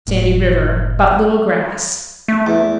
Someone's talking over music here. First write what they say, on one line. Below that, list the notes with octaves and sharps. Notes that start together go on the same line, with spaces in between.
Sandy River.--But little grass.
F#1 A2
A3
E2